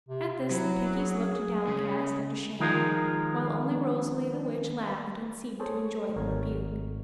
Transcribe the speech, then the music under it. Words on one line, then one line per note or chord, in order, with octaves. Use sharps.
At this the Pinkies looked downcast and ashamed, while only Rosalie the Witch laughed and seemed to enjoy the rebuke.
C3
F#3 E4
G#4
C#3
D#3 F3 G#3 F4 A#4
G#4 A4 C5 C#5
G#1 A#4 C#5